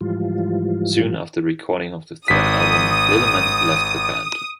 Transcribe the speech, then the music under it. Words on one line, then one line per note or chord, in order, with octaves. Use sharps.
Soon after the recording of the third album Lillman left the band.
G#2 E3 F3 G3 F4
G#1 D#6 B6